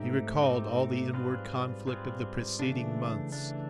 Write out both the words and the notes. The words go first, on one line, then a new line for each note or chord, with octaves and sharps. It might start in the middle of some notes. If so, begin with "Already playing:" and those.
He recalled all the inward conflict of the preceding months.
Already playing: G#2 A3 C4 D#4 G4
A3 C4 D#4 G4
G3 C4 F4 G#4 B4
G3 C4 F4 G#4 B4
C#3 E3 A3 D4
E3 A3 D4